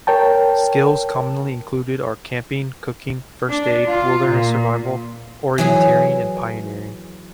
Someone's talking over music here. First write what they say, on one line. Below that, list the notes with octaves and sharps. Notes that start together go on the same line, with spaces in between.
Skills commonly included are camping, cooking, first aid, wilderness survival, orienteering and pioneering.
A#4 C#5 G5 A5
D4
F4
A#2
E3 F#3 G#4